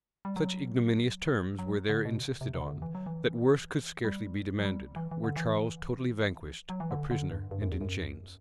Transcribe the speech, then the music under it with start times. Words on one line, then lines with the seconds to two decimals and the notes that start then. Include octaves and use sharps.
Such ignominious terms were there insisted on, that worse could scarcely be demanded, were Charles totally vanquished, a prisoner, and in chains.
0.25 G3
0.36 F#3
1.59 F#3
1.89 D3
2.05 B2
2.41 C3
2.54 C3
2.61 D3
2.82 E3
2.95 F#3
3.06 E3
4.04 G3
4.59 F#3
4.65 G3
4.96 E3
5.11 E3
5.24 D3
5.37 E3
6.70 F#3
6.80 E3
6.91 D3
7.11 D3
7.31 G2
7.51 G2
7.62 F#2
7.72 E2
7.81 F#2